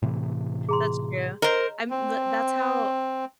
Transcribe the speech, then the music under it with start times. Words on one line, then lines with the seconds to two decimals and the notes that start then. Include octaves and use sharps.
That's true. I'm the that's how
0.02 A2 C3 E3
0.69 G#4 A#5 C6
1.42 A#4 C5 C#5 D#5 A#5
1.90 C4